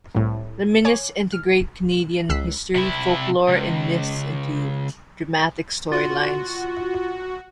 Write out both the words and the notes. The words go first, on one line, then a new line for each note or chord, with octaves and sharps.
The "Minutes" integrate Canadian history, folklore and myths into dramatic storylines.
C2 A2
C#5 G#5 D6
F6
C#2 E6 F#6 B6 C7
C3 E4
C#2
F4 F#4